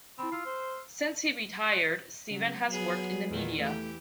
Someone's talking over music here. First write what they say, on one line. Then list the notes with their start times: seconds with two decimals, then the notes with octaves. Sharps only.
Since he retired, Steven has worked in the media.
0.19 C4 E4 B5
0.32 F4 E6 F6 C7
0.46 C5
2.30 C#3 F#3
2.69 F#3 B3 G#4
3.29 E2 A#2 D#3
3.60 E3 A3 G4